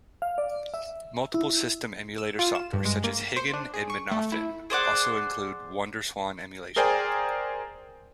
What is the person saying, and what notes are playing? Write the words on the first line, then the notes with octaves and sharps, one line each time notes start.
Multiple system emulator software such as Higan and Mednafen also include WonderSwan emulation.
F5
D5
E5
E4
E6
F4
E7
G2
G#3
A#3
C5
D4
G#4
C#6
A3
E4
G#4 C5 D5 F#5
G#4 A#4 C5 D5 G5 G#5